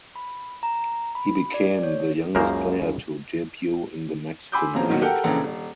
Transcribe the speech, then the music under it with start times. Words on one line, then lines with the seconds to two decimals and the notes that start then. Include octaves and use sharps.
He became the youngest player to debut in the Mexican League.
0.16 B5
0.63 A#5
1.15 B5
1.54 D5
1.83 C#5
2.35 C#2 F#2 C#3 A#3 A#4 C5
4.52 G#5 B5 C6 D6 E6 G6
4.74 D#1 A#2 F3 C4 C#4 A#5
4.89 B1 A#2 D#3 F#3
5.02 G4 A4 A#4 F#5 G5
5.24 A#1 C#3 E3 A4 A#5
5.44 D#1